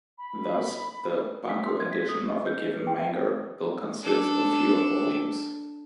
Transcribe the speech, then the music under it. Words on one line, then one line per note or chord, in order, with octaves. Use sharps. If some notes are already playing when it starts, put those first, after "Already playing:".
Thus, the "bunko" edition of a given manga will consist of fewer volumes.
B5
B6
C6
G#6
B6
D#6
D#5
G6
B4
G5
D4 A4